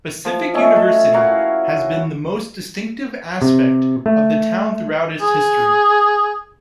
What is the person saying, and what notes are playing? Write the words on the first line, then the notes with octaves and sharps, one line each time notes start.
Pacific University has been the most distinctive aspect of the town throughout its history.
F3
A3 C#4 D#5 E5
A4
E4 F#4 A#4 F5
C3
A3
G#4